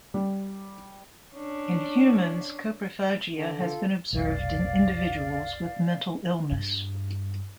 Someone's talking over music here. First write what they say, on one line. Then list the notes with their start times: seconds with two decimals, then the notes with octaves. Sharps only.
In humans, coprophagia has been observed in individuals with mental illness.
0.14 G3
1.35 C#4 D4
3.37 D3
3.60 F4 A4
4.13 F1 B1 D5 F5
6.52 G2